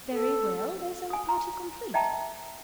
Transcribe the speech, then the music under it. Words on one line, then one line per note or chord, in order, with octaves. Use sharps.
Very well; there is our party complete!
A4
G#5 D#6
A#5
D#5 E5 G5 A5 A#5